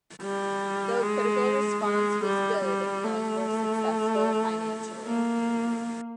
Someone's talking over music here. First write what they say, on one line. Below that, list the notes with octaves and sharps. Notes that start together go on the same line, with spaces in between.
Though critical response was good, none were successful financially.
G3
G#3
G#3
G3
G3
A3
A#3